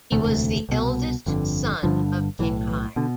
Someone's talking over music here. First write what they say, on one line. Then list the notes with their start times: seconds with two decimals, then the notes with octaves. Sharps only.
He was the eldest son of King Hye.
0.12 E1 D2 C3 A3
0.69 C2 B2
1.26 G1 F2 D3
1.83 G1 G2 D3 F3
2.39 B1 A2 E3
2.68 E3
2.96 B2 D3